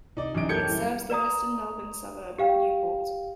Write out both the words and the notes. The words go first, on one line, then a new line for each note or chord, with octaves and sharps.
It serves the western Melbourne suburb of Newport.
C3 D#4 D5
F#2 E3 F#3 C#4 D#4 D7
G4 A4 A#4 G6 G#6 C#7
F#3 G3 E4
B4 D5 A#5 D#6
G4 F5 G5